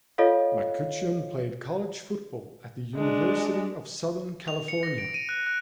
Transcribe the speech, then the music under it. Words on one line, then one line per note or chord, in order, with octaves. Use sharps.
McCutcheon played college football at the University of Southern California.
F4 A4 C#5 D#5 F5
G#3 D4
F7
C#7
A#6
D7
D#7
F#6
F#6